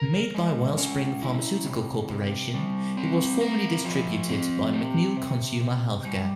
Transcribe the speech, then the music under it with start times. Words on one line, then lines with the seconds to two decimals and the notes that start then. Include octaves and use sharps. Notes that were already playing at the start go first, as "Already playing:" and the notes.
Made by WellSpring Pharmaceutical Corporation, it was formerly distributed by McNeil Consumer Healthcare.
Already playing: A#4
0.35 G#3
0.78 C#4
1.22 E4
1.66 C3
2.10 C3
2.54 G3
2.97 C4
3.41 A#4
3.85 F3
4.29 C4
4.73 G4
5.17 C3
5.61 C3
6.05 G3